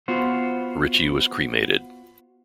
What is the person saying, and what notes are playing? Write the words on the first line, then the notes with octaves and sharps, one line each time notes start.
Ritchie was cremated.
B3 F4 F#4 C5